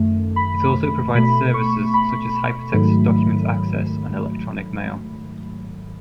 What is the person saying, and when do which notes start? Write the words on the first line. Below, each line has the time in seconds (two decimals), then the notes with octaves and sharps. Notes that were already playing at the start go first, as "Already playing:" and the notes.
It also provides services such as hypertext document access and electronic mail.
Already playing: F#2 D#3 A3
0.36 B5
1.15 B2 A3 B5
1.54 C#6
1.94 B5
2.72 G#2 D#3 F#3 A3